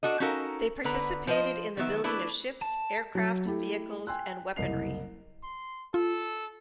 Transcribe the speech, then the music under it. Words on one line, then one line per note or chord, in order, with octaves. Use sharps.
They participated in the building of ships, aircraft, vehicles, and weaponry.
D4 F#4 A4 D#5
C#4 D#4 F#4 A4 A#4 F5
D3 B3 B4 A#5
F3 C5 D#5
D#3 F#3 B3 E5
A3 B3 D4 E4 B4
A5
F#3
A3 E4 G4
G5 G#5 C6 E6 F#6
F#1 C2 D#5 C7 F7
C6
F4 A4